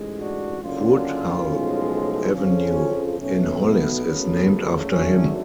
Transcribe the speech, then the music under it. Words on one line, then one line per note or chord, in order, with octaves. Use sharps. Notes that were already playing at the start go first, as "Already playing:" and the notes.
Woodhull Avenue in Hollis is named after him.
Already playing: A1 G#2 G#3
D4 F#4
F#1 F#2 D3 C#4 F4
B1 A2 F3 G#3
F2 C#3 F3 C#4
B1 B2 A3 C#4
B3
F#1 F#2 C#3 F#3 A3
G#1 F#2 D3 F#3 A3 C#4